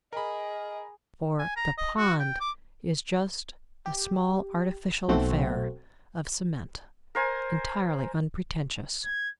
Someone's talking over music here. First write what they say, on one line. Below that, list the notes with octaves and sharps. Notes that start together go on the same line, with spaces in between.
For "the pond" is just a small artificial affair of cement, entirely unpretentious.
G#4 A#4 D#5 B5
G#5
A#5
D#5
F#4
G5
D6
G4
B1 A3 C4 F#4
A#4 C5 G#5
G#6